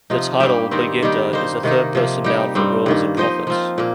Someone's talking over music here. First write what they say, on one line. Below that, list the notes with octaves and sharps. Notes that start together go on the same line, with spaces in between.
The title "baginda" is a third-person noun for royals and prophets.
C3 F3 D#4
G2 G3 A#3 G4
D#3 C4 D#4 A#4
D#3 G3 D#4 G4
A#3 D#4 C5
C3 D#3 A#3 D#4
C3 F3 A#3
G3 D#4 G4
G2 G3 C4
G2 D#3 A#3
F3 D#4 C5 D#5
F3 C4 F4
A#2 A#3